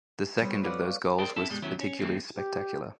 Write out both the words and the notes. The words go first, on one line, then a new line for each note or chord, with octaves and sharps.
The second of those goals was particularly spectacular.
G3 A3 B3 C4 C#5
F#4 B4 C#5 D5 F5 F#5
G#4 A#4 C5 D5 G5
C4 C#4 E4 A4 E5 A5
G2 B2 G3 G#3
F2 D#3 F#3 B3 C#4 E4
C#4
D#2 A3 A#3 C4
G4